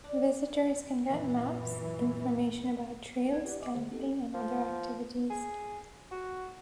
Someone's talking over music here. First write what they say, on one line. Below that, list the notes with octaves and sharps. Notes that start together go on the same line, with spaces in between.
Visitors can get maps, information about trails, camping and other activities.
D4
F#2 A#2 E3
A#1 C4 C#4 D#4 B4 G#6
E4 G4 B4 D5 F#5
D#5 E5 G#5 D6
D3 A3 G#4 C5
C4 D#4 G4 A4
F3
G#4
F#4